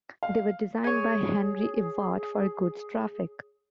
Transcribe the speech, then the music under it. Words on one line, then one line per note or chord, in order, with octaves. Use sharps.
They were designed by Henry Ivatt for goods traffic.
F5
G#4 C#5 G#5